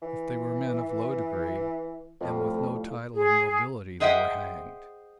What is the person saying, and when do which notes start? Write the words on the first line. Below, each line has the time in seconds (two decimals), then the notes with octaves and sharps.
If they were men of low degree and with no title of nobility they were hanged.
0.02 E3
2.21 F2 A2 F3 G3
3.15 G#4
4.00 G#4 C5 D#5 E5 F#5 G5